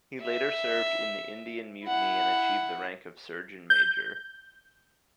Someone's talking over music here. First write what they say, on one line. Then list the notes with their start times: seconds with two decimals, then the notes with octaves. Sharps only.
He later served in the Indian Mutiny and achieved the rank of surgeon major.
0.22 E5
1.85 E4 F#5
3.70 G6